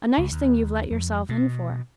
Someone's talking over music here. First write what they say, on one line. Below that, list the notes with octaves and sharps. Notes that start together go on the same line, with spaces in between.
A nice thing you've let yourselves in for!'
C#2
D#2
F2
B2